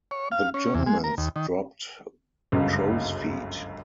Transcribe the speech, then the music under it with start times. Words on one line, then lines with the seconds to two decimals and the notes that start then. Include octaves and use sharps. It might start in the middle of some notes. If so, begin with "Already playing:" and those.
The Germans dropped "crowsfeet".
0.11 C#5
0.32 F5
0.54 C#4
0.74 E2
0.86 G#3
1.04 A#4
1.18 D#2
1.36 D#3
2.52 G1 C#2 F#2 C#3